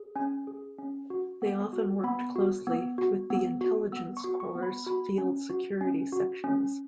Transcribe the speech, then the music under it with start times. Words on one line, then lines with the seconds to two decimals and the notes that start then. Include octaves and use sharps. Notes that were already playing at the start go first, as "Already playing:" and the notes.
They often worked closely with the Intelligence Corps' Field Security sections.
Already playing: G#4
0.16 C#4 G#5
0.47 G#4
0.78 C#4
1.10 F#4
1.42 B3
1.73 F#4
2.04 B3 B5
2.36 F#4
2.67 B3
2.98 F#4
3.30 B3
3.61 F#4
3.92 B3 E6
4.17 C#6
4.24 F#4
4.40 C#6
4.55 B3
4.63 B5
4.86 F#4 B5
5.18 C#4
5.50 F#4
5.81 C#4
6.12 F#4
6.44 C#4